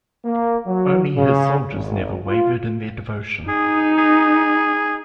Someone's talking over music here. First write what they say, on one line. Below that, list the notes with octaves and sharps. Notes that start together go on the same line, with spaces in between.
Only his soldiers never wavered in their devotion.
A#3
F#3
C#3
G#1
F4
D#4 G#4
G#4